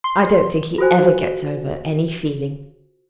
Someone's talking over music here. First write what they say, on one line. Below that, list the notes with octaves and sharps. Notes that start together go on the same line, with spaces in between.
I don't think he ever gets over any feeling.
C6
F4 F#4 A4 C5 G#5